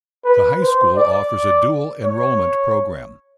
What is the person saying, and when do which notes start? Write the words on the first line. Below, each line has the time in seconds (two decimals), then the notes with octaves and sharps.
The high school offers a Dual Enrollment program.
0.24 B4
0.61 C5
0.97 D5
2.04 C#5